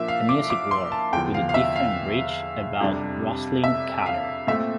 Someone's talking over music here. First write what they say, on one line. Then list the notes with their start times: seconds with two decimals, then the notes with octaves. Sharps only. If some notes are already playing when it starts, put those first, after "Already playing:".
A Music War, with a different bridge about Rosalynn Carter.
Already playing: A#2 F3 A#3 D4 E5
0.08 F5
0.29 D6
0.50 D6
0.71 C6
0.92 A5
1.13 E2 D3 F3 G5
1.34 F5
1.49 F5
1.54 E5
1.76 F5
2.81 F2 C3 G3 D4
3.64 E5
4.06 F5
4.47 A#2 A3 C4 E5